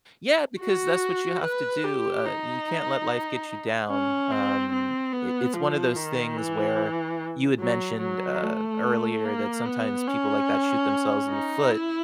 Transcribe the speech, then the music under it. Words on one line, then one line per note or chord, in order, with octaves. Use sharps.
Yeah, because that's what you have to do, uh, you can't let life get you down, um, it it's one of those things where, you had mentioned, uh, earlier that sometimes people like that shoot themselves in the foot,
F#4
B4
G4
D#4
C#4
C4
C4
B3
F3
D#3
E3
F#3
F#3
A3
A#3
B3
C#4
D#4
E4